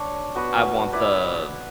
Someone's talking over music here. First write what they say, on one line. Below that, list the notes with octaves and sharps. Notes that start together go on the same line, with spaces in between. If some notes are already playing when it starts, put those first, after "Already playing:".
I want the the
Already playing: D4 C#5
B3 F#4 B4
E4 B4 D5